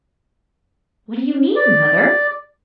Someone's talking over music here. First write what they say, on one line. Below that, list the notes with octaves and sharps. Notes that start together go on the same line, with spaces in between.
"What do you mean, Mother!"
D5